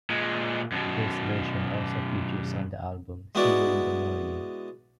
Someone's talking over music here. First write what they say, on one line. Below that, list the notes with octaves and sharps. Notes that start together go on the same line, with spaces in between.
This version also features on the album "See You in the Morning".
A#2 G#3
F#2 B2
G#3 B3 E4 F#4 D5